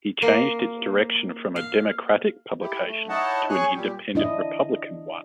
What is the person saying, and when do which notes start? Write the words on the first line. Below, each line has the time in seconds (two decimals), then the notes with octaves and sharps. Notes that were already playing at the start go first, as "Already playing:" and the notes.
He changed its direction from a "democratic" publication to an "independent republican" one.
0.22 A#3
1.56 F5
2.61 E4 G4
2.85 A3
3.09 D#4 E4 C#5 D#5 F#5 A5
3.49 G#4 C#5 G#5 C#6 F#6
3.74 A#2 G3 G4
4.15 D4 E4 D#5